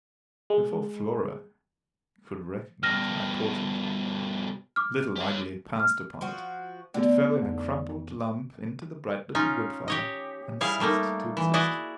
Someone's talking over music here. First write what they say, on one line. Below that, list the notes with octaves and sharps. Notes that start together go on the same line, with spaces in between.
Before Flora could recognize my portrait, Little Ugly pounced upon it; it fell in a crumpled lump into the bright little wood fire, and ceased to exist.
G#3
G2 B2 F6 A#6
D6 F6
G4 C#5
F6
F3 F#4
D3 A3 B3
F2
C#4 D#4 F4
G4 C#5 D#5
G3 E4 G#4 F5
G3 A3 A#3 D#4
E3
E4 F#4 G#4 D5 D#5